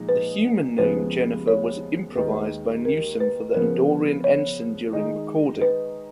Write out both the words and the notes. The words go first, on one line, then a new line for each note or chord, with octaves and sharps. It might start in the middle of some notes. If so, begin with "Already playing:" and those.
The human name Jennifer was improvised by Newsome for the Andorian ensign during recording.
Already playing: A#2 F3 G#3 D#4
B4
D#2 C#3 F3 G#3 B3 B4
C#5
D#2 D#3 G#3 B4
A#4
B4
C#3 F3 B3 A#4
C#5
D#3 G#3 D#4
B4